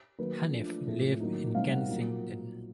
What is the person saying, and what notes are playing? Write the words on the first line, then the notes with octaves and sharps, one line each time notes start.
Hanif lives in Kensington.
D#3 F#3 A#3 D#4 B4
F3 A3 D4
A2 F3 G#3 C4
D#3 F#3 A#3 D#4
B2 G3 C4 D#4 F5
F#5
A#2 F#3 A#3 D#4